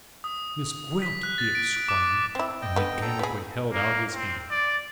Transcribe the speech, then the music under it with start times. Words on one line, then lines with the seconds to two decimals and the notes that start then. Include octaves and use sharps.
"Miss Gwilt!" he exclaimed, and mechanically held out his hand.
0.24 D#6
1.02 B6
1.23 F#6
1.38 A6
1.55 D7
1.88 D6
2.35 C4 E4
2.62 D#5 G5
2.76 D3 B3
3.02 A4 G5 A#5
3.19 B3 G#4 B5
3.72 A#3
4.15 C4
4.51 D5